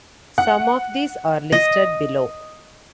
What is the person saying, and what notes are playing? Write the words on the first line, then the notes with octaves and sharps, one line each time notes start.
Some of these are listed below.
F#5
D#5